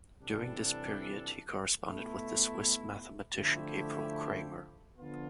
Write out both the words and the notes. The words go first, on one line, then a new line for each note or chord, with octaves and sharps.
During this period he corresponded with the Swiss mathematician Gabriel Cramer.
C3 E3 G3 D4 A4
B2 A3 E4
D3 F3 A3 E4 G4
D3 F3 B3 F4